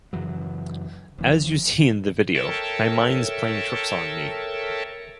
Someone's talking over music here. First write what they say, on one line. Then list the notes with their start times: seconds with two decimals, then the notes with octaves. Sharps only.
As you see in the video, my mind's playing tricks on me.
0.13 F#2 C#3 E3 F#3
1.18 D#1 E3 F3
2.35 A4 A#4 C#5 E5 G5 A5